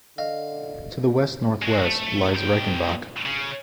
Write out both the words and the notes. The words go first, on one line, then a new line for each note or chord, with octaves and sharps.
To the west-northwest lies Reichenbach.
D3 D#5 F5
G#3 F#4
A3
B2 G5
C#3